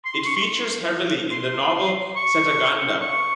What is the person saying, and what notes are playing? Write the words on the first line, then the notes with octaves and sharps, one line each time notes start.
It features heavily in the novel "Cetaganda".
C6
C6
C#6
C6
C6
C#6
C#6